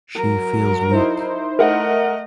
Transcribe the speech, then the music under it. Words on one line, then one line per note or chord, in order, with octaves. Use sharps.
She feels weak.
F#3 A#4
D#4 E4 C5
A3 A#4 D#5 E5 F#5